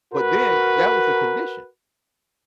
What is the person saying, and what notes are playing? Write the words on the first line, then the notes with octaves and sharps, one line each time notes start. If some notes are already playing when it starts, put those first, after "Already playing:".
but then that was the condition.
F#4 A#4 B4